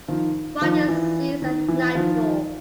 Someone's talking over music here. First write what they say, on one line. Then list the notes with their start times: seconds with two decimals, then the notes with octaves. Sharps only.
Fightings ceased at nightfall.
0.08 D#3 F3
0.61 D#3 F3
0.88 E3
1.42 D#3
1.68 E3
1.95 D#3 F3